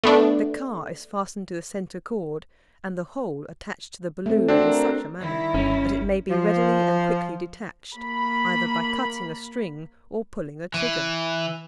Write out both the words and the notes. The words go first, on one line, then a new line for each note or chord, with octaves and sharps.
The car is fastened to the centre cord, and the whole attached to the balloon in such a manner that it may be readily and quickly detached, either by cutting a string, or pulling a trigger.
A3 B3 D4
A3 C4
C4 D4 F#4
A#4
D#3 G3 E4
G1 C#4
F3
A#3 B5
E3